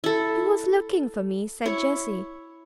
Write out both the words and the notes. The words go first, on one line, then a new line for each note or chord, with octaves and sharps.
"He was looking for me," said Jessie.
E4 A4
E4 C#5